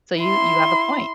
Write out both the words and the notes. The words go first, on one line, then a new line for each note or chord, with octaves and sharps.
So, you you have a point.
E4 C6